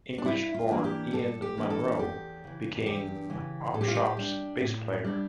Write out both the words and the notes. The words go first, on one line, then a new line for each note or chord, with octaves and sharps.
English-born Ian Munro became Opshop's bass player.
D4
G2 E4
F4
E3 A#3 D4
G4
G2 A4
G4
E3 A#3 D4
A4
E2 G4
C#3 E3
E2 G4
C#3 E3
A2 A4
G4
F4
G4
G3 D4
A2
G3 D4